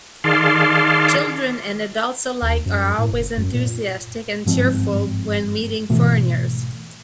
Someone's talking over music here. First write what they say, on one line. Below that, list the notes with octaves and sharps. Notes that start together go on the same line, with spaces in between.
Children and adults alike are always enthusiastic and cheerful when meeting foreigners.
D#3 G#4 D5 F5 A5 C6
D#2
F#2
A2
F#1
F#2
A#2
G1 G#2 F3 C4
G#1 B2 E3 A3